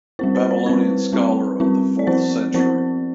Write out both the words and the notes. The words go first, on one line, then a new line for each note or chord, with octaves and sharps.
Babylonian scholar of the fourth century.
G3 C4 E4 C5
C5
C5
G3 C4 E4 B4
G3 C4 E4
G3 C4 E4
D5
F3 C4 E4 C5
F3 C4 E4 C5